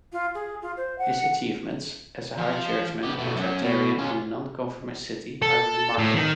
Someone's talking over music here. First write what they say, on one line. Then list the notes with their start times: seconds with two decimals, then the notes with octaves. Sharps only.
His achievements, as a High Churchman and Tractarian in a non-conformist city are remarkable.
0.12 F4
0.34 G#4
0.62 F4
0.77 C5
0.98 F#5
2.37 F3 F5
3.03 B3 G4
3.18 B2 A3
3.36 F#2 F#3
3.62 B2
3.98 C#4 F4
5.42 A4
5.98 A2
6.14 D#3